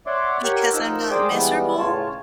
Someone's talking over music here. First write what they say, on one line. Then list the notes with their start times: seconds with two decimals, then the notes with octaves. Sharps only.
because I'm not miserable
0.07 C#5 D5 E5 F#5 C6 D6
0.44 G4 A#4 C#5 F#5 G5
0.74 F3 D#4 A#4 E6
1.11 G#4 C5 D5 G5 D6 D#6
1.29 E3 G3 G#3 B3
1.78 A2 C#3 F4 C#5 A5